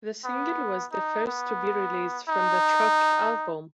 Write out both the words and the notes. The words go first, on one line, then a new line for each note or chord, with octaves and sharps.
The single was the first to be released from the "Choke" album.
B3
D#4
B3
D#4